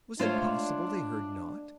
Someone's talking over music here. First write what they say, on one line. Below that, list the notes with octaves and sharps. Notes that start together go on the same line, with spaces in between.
Was it possible they heard not?
G#3 A3 D4 F4 C5 C#5 F5